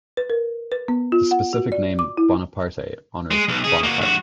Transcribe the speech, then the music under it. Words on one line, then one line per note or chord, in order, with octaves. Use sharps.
The specific name "bonapartei" honours Bonaparte.
B4
A#4
B4
B3
F4
F#5
F#4
D5
D6
E4
G#3
B1
C#4 G#4
A#3 F#4
G2 F#4